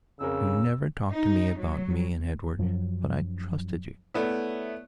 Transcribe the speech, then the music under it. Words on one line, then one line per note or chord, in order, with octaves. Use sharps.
You never talked to me about me and Edward, but I trusted you.
F2 C#3 G#4 A#4 E6
D#4
F#3
F#2 F3 F#3
A3 B3 E4 C#5 D5 E5